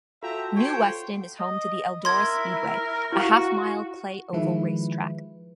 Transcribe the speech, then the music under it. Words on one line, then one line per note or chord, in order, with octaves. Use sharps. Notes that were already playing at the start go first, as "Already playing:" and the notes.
New Weston is home to the Eldora Speedway, a half-mile clay oval race track.
F4 F#4 A4 E5 G5 A#5
C5 C#5 G5
D#5
E4 A#4 C6 G#6
E4 F#4 F5
D#3 F3 G#3 E4 B4